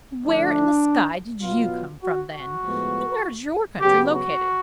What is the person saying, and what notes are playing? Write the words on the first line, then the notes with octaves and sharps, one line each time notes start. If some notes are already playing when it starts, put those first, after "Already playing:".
"Where in the Sky did you come from, then, and where is your country located?"
D3 F3 A3 D4
B2 F#3 B3 F4
F#4
F#4
A2 F3 G#3 B3
C#3 F#3 B3 G4
F#4